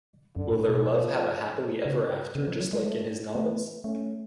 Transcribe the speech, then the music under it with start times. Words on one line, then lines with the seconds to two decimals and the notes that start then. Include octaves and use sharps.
Will their love have an happily ever after just like in his novels?
0.36 F#2 D3
0.52 A2
0.69 B2
0.86 F3
1.85 C#3
2.35 C#3 B3
2.47 F3
2.61 F#3
2.73 G#3
2.85 A3
3.35 A3 B3
3.84 A3 C#4